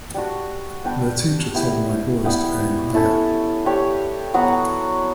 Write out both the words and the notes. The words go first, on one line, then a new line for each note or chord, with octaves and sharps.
Their teacher told my boys to aim higher.
G3 D4 F#4
G3 B3 D4 G4
B3 E4 G4
G3 B3 E4 G4
C#4 E4 A4 C#5
D4 G4 C#5
F#3 B3 F#4